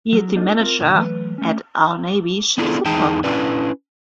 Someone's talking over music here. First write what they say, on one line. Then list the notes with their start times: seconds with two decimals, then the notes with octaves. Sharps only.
He is the manager at Al-Nabi Chit football club.
0.13 F#3
0.35 A#3 D4 D#4 F4 A4
0.60 C4 F4 F#4 A#4
0.79 F2 A#2 D3
0.94 E3 F#3 A3 B4
1.38 A3 C#4
2.58 B3 D4 E4 F4 G#4 A4
2.86 E2 E3 D#4 G#4 G5 A5
3.24 C#4 D4 E4 B4 D5